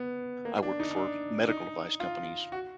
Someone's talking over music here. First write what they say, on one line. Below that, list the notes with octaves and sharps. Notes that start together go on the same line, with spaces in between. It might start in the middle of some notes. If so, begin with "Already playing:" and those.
I worked for medical device companies.
Already playing: B3
A#3
D4
D#4
D4
D#4
F4
F#4